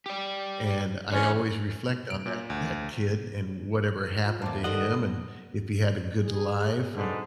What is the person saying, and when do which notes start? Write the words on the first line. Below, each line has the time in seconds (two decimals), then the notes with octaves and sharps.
And I always reflect on that that kid and whatever happened to him and if he had a good life and
0.06 G4 D5
1.12 D3 E3 C#4
2.10 D7
2.26 A#2
2.50 D2
4.24 F4
4.42 E2 A#3 C5 F#5 A5 D6
4.64 D#3 G3 A4 A#4 C5 D#5 F#5
6.24 G#4
6.95 G#2 B2 D3